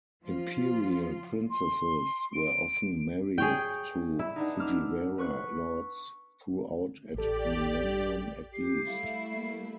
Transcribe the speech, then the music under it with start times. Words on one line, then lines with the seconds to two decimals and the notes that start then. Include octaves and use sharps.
Imperial princesses were often married to Fujiwara lords - throughout a millennium at least.
0.22 F3 F4
1.50 C6
2.33 D7
3.38 G#4 C#5 G5
4.19 E4
4.36 B3 D4 D#4
4.60 D6 E6 F6
5.18 B4 C#6 F#6
7.15 A1 G4 A4 D5
8.54 G4 C7
8.87 G3 A3 E4 F5
9.32 A#3